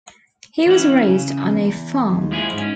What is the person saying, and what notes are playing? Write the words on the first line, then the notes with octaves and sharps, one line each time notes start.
He was raised on a farm.
E3 C#4 E4 F#5
C#3
E2
D#2
F3 G#3 E4 G#4
G#2 C#4